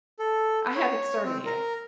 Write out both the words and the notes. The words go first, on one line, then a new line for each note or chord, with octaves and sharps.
I haven't started yet.
A4
C#5
C4
A#4